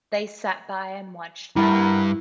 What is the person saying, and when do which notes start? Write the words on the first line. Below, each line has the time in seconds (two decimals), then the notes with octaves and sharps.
they sat by and watched that,
1.56 G2 G3 E4 A#4 F#5 B5